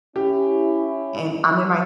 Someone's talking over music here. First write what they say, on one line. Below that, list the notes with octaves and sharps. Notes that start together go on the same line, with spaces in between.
and I'm in my
C#4 E4 G4